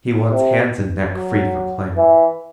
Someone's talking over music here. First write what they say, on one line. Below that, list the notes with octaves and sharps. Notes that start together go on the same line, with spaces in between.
He wants hands and neck free for climbing.
C3
F#3
E3